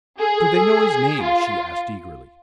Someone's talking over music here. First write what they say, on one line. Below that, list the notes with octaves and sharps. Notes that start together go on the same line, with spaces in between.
"Do they know his name?" she asked eagerly.
G#4 A4
A4
A4
F4